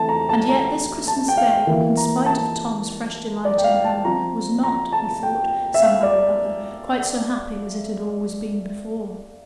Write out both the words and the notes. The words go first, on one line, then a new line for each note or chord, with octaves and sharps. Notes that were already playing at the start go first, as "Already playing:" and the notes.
And yet this Christmas day, in spite of Tom's fresh delight in home, was not, he thought, somehow or other, quite so happy as it had always been before.
Already playing: E3 A3 C4 A5
A#5
A5
A#5
A5
G5
F5
E3 A#3 E4
A#5
A5
D5
G5
F5
A5
F3 C4 F4 A#5
A#5
A5
G5
E5
F5
D5